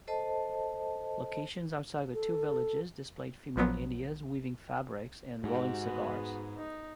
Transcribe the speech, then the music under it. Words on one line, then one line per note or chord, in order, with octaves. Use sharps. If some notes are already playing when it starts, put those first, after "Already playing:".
Locations outside the two villages displayed female "indias" weaving fabrics and rolling cigars.
A4 C5 D#5 A5
A4
A#1 F3 F#3 B3
G#2 F#4 G4
B3 G#4
D#4